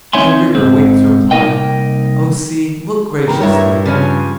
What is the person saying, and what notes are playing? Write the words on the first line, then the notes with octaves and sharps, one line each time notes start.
My river waits reply. Oh sea, look graciously!
C4 D#4 C#5 E5 G#5 C6
G#2 C4
C2 A#3 D#4 A#4 D#5 G5
D#3 A#5 B5
G2 E4 A#4 C#5
C#3 F3 C#4